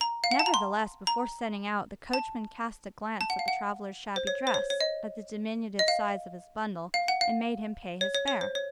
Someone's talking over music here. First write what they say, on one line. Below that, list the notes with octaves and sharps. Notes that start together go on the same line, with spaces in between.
Nevertheless, before setting out, the coachman cast a glance at the traveller's shabby dress, at the diminutive size of his bundle, and made him pay his fare.
A#5
F5
F#5
A5
A#5
C6
A#5
A5
A5
F#5
F5
F#5
C5
C#5
C5
C#5
C#5
D#5
D#5
F5
F5
F#5
F5
C#5
C#5
C#5
C5
C#5